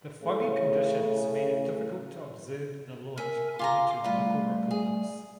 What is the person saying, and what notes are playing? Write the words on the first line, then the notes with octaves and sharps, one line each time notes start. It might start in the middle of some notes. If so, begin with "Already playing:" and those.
The foggy conditions made it difficult to observe the launch according to local reporters.
A2 C#3
A#4 E5 G#5
F4 F5 G#5 A#5 C6 D6
G3 A3 F4 B4
G#4